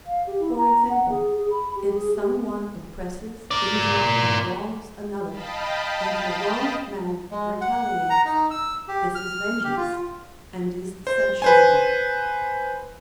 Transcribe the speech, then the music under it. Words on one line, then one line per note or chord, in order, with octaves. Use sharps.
For example, if someone oppresses, injures and wrongs another, and the wronged man retaliates, this is vengeance and is censurable.
F5
G4
E4
A#5
F#5
G#4
G#4
B5
G4
G#4
G4
A#4 D5
D#5 F5 G5 A5 B5
G#3
F#5
A#5
D#4
E6
G4
F6
G4
F4
C5
B4 C5 G#5